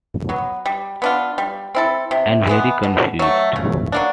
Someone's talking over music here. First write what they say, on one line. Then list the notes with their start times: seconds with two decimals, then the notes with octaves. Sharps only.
And very confused.
0.29 F#3 B3
0.66 G3
1.02 B3 D4 F4
1.38 G3
1.75 C4 E4 A4
2.11 C3
2.47 E3 G#3 B3
2.83 B2
3.19 F#3 A3
3.56 C#3
3.92 F#3 A#3 D4